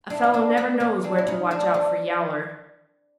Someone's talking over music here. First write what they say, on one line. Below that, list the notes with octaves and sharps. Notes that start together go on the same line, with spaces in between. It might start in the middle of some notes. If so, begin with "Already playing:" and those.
A fellow never knows where to watch out for Yowler.
D4 E4
C#4
C4 D4
A#3 C4
B3 C#4
C4 D4
E4
C#4 D#4
C4 D4
D4